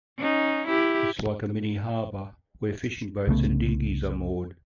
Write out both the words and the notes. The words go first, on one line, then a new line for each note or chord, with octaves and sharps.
It's like a mini harbor where fishing boats and dinghies are moored.
C#4 D#4
E4 G4
C2 C#3 A3 B3